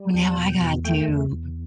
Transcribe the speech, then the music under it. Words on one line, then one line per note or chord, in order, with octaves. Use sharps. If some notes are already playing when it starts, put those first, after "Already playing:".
Well, now I got to.
Already playing: G3
E2 G5
A5
B2
G5
E2
G5
A3 G5
E2
E2